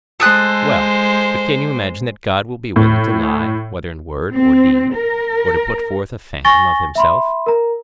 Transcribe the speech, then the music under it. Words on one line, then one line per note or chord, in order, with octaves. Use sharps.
Well, but can you imagine that God will be willing to lie, whether in word or deed, or to put forth a phantom of himself?
G#3 A4 C5 D#6 F#6
A2
C4
A#4
G#5 C#6 A6 A#6 G7
E5 B5 C6
A#4 A#5